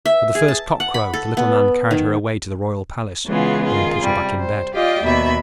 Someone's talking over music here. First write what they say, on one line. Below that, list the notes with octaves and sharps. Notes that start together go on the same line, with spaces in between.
At the first cock-crow, the Little Man carried her away to the royal palace, and put her back in bed.
E5
G#4
A5
F#5
B5
A4
B3
D#3
C#3 E3 G#3 B3 F4 G#4
D#3 F4 G#4
C3 G3
C5
F4 G4 D5 D#5 F5
D#2 B2 E5 B5